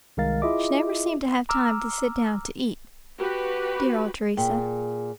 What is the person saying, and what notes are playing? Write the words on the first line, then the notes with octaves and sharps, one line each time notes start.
She never seemed to have time to sit down to eat Dear old Teresa!
C2 D#3 G#3 A#4 F5 A6
E4 F4 G#4 D#5 E5 D6
A#5 D6 E6 F6
F#4 G4 B4 B5
A#2 G#4 G5